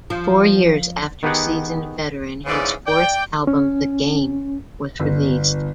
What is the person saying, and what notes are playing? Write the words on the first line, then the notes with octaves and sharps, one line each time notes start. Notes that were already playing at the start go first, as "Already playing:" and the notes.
Four years after "Seasoned Veteran", his fourth album "The Game" was released.
F3
D#3 B3 D#4 G4 G#4 F#5
G#2 C#3 E3 B3 C#4 D5
D5 G5
C#4
G1